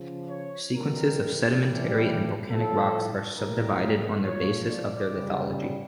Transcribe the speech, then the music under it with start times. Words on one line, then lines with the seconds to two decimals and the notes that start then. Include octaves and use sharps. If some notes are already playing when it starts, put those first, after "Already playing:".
Sequences of sedimentary and volcanic rocks are subdivided on the basis of their lithology.
Already playing: C#3 F3
0.29 C#5
0.74 C#3 E3 G3 A#4
1.63 A2 E3 G3
2.50 A2 F3 A4
3.38 A2 G3 A#4
4.26 A#2 F3 C#5
4.70 D5
5.14 C#3 G3